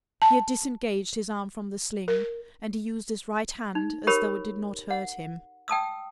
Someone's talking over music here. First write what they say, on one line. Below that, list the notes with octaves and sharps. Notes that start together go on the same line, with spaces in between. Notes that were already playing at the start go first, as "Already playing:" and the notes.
He had disengaged his arm from the sling, and he used his right hand as though it did not hurt him.
A5
A#4
D#4
G4 A#4 C#5 B5
F#5
G5 A5 D#6 E6